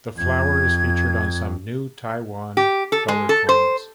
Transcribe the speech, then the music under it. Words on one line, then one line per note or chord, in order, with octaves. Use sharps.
The flower is featured on some New Taiwan dollar coins.
F2 G#6
G4
A4
G#3
A4
C5